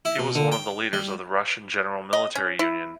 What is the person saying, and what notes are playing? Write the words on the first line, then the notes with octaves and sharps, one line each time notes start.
He was one of the leaders of the Russian General Military Union.
E4
B2
D3
G5
G3
D#5
C#4
E4